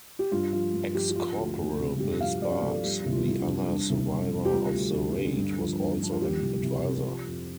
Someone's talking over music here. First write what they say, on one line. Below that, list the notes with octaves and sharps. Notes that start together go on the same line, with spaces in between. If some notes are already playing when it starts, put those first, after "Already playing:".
Ex-Corporal Bill Sparks, the other survivor of the raid, was also an advisor.
G4
G2 F4
F3 F4
G2
F3 G4
G4
F3 F4
D2
D2
C3
G2 G4
F3 F5
G2 D5
F3 A4
G3 G4
C2
F4
C2
D4
C3
G3 D4
C2
C2
C3
G4
G3 F4
D2
D2
D3
G2
F3
G2
F3 D4
F4
G3 G4
C2
C2
C3
F3
F2